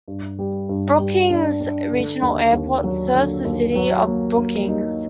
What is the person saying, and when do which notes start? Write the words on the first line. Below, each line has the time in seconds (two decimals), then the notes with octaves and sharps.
Brookings Regional Airport serves the City of Brookings.
0.08 G2
0.39 G3
0.69 G2
0.99 G3
1.30 D4
1.61 D4
1.92 D3
2.22 D#2
2.53 D#2
2.84 F#3
3.14 D3
3.45 D#2
3.75 F#3
4.07 A#3
4.37 A#3
4.68 D#4